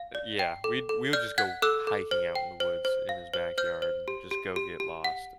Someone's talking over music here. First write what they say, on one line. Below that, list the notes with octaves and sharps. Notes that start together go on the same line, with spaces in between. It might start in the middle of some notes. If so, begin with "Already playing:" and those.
uh, yeah, we'd we would just go hiking out in the woods in his backyard, and just go get lost,
Already playing: F5
D5
G5
A4
A4
D5 F6 G6
F#5 F#6 G#6
A4 E6 F#6
A4
C5
G5
C5
C5
F5
C5
C5 F6 G6
C5
G4
G4
G4
G4
F#5